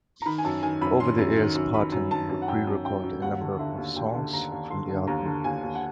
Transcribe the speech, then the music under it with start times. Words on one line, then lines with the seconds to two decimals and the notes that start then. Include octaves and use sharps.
Over the years, Parton would re-record a number of the songs from the album.
0.22 A#5
0.26 D#3 B5
0.38 G#5
0.44 F#2 A5
0.63 D#3 G#5
0.81 F#2 B5
1.00 D#3 C6
1.18 F#2
1.37 D#3
1.55 F#2
1.74 D#3 B5
1.92 F#2
2.11 D#3 A5
2.29 F#2
2.42 F#5
2.48 F#2 G5
2.67 F#2
2.85 F#2 G5
3.03 F#2
3.22 D#2 F#5
3.41 D3
3.59 D3 E5
3.77 D#2
3.96 D#2 G5
4.15 D3
4.33 D#2 A#5
4.52 D#2
4.70 D3 C6
4.89 D3
5.07 D#2 A#5
5.26 D3
5.44 D#2 G#5
5.63 D#2
5.75 F#5